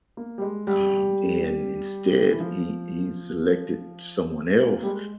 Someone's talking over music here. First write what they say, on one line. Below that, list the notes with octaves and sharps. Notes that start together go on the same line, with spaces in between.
um, and instead, he he selected someone else,
A#3
G3
G#3
G3
E3
F3
G#3
A#3
G3
G#3